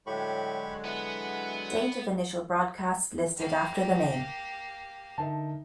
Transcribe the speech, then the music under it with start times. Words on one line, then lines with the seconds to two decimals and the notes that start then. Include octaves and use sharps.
Date of initial broadcast listed after the name.
0.06 A2 D3 F#3 G#3 G4 B5 C#6
0.84 E3 B3 F#5
3.37 A#3 G4
5.18 D3 D#4 A#4 E5 A5